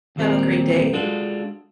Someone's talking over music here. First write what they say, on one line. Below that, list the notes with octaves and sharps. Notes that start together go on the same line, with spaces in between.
have a great day
D#2 A#2 G3 C4 A#4
G#3 D4 F4 F#4 A4